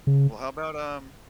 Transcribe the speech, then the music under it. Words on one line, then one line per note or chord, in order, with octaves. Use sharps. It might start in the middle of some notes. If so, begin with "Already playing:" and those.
Well, how about, um
C#3